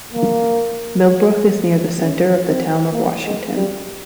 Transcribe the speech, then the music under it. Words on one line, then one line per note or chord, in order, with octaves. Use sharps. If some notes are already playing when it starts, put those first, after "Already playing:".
Millbrook is near the center of the Town of Washington.
A#3
C#4
C4
A#3
G#3
G3